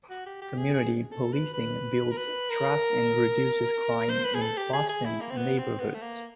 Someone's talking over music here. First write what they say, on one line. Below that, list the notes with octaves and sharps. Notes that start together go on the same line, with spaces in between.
Community policing builds trust and reduces crime in Boston's neighborhoods.
F#4
G4
G4
G#4
G#4
A4
B4
B4
A#4
B4
A#4
C5
B4
G#4
A4
G4
G#4
G#4
E4
A#3
C4
B3
C4
B3
A3
A#3